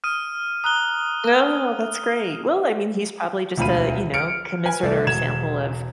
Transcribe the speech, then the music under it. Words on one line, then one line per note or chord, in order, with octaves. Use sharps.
No, that's great. Well, I mean, he's probably just a, you know, commiserate or a sample of
D#6 F6 D#7
A#5 D#6 F#6 G7
E1 D2 F4 B5 D#7
F6 C#7 D7
B4 G#5
C2 A3 A4 D5
E1 G#6 E7